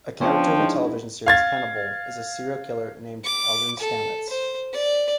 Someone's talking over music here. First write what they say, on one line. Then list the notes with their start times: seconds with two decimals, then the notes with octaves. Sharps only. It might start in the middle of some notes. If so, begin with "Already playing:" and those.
A character in the television series Hannibal is a serial killer named Eldon Stammets.
0.21 F3 B3 C#4 D4 F4 C#5 G5
0.60 G#3 D#4 E4
1.26 F5 G#6 A6
3.25 D6
3.80 A4
4.30 C5
4.73 D5